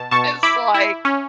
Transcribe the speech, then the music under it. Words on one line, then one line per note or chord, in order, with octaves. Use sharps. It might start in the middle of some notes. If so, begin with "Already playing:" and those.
it's like
Already playing: B2 A5
B2 A5 C#6
E4 B5 D6
E4
C#4